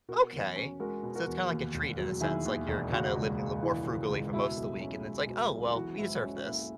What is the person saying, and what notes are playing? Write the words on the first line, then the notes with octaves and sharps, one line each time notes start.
Okay. So it's kinda like a treat in a sense, like, you're kinda living a little more frugally for most of the week, and it's like, "Oh well, we deserve this."
B2 F#4 A#4
E2
C#4
G#3 F#4 A#4
B2
F#4 A#4
E2
D#2
E1
F#3
D#3 E4 G#4
D#2
E1
C#3 F#4
C#2
G#3
E3
C#3
C#2
B2 E4
B1
C#4
G#3
B2
B1
E4
E3 F#4
G#2 E4
C#4 F#4
F#4
A#3 E4